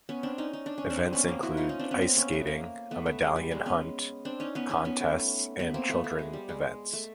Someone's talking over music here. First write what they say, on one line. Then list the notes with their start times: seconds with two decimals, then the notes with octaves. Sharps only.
Events include ice skating, a medallion hunt, contests and children events.
0.09 B3 C#4
0.23 C4 D4
0.38 C#4 D#4
0.53 D#4
0.66 D4
0.78 C#4
0.90 C4 D4
1.13 B3 C#4
1.27 A#3 C4
1.43 E4 F#4
1.57 D#4 F4
1.69 C#4 D#4
1.79 C4 D4
1.91 B3 C#4
2.02 A#3 C4
2.17 B3 C#4
2.32 A3 B3
2.47 A#3
2.91 A3 B3
3.06 A3
3.22 G#3
3.36 G3
3.51 G#3
3.66 B3 C#4
4.25 C4 D4
4.40 C#4 D#4
4.55 B3 C#4
4.70 B3 C#4
4.85 B3 C#4
5.01 A3
5.59 A3 B3
5.74 A#3 C4
5.89 A3 B3
6.04 A3
6.19 G#3
6.33 G3
6.49 G#3
6.93 A3